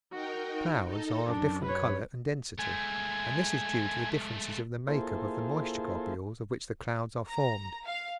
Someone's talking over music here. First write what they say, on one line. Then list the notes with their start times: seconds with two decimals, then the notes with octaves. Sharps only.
Clouds are of different color and density, and this is due to the differences of the make-up of the moisture globules of which the clouds are formed.
0.12 D#4 F#4 A#4 G5
0.86 D#4 A4 D#5
1.25 F#2 D4
1.64 B4 C#5
2.59 G#3 A3 G#5
4.87 A#3 E4 F4 G#4 A4 C5
7.28 A#5
7.86 F5